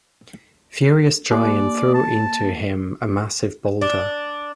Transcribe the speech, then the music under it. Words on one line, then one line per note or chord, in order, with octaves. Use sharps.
Furious giant threw into him a massive boulder.
A#3 D5
A5
D4